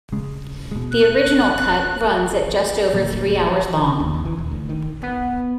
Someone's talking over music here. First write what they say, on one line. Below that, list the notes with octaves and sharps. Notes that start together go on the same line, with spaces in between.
The original cut runs at just over three hours long.
C#3 G#3
B2 G#3
F#6
D2 A#2 F#3 A#3
D#2
D#2
E3
D#1
D2
D#3
B3